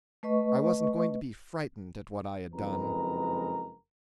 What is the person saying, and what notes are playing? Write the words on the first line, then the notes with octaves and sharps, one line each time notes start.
I wasn't going to be frightened at what I had done.
A3 B4 D#5 C#6
F#1 F2 G#3 A#4 B4 A#5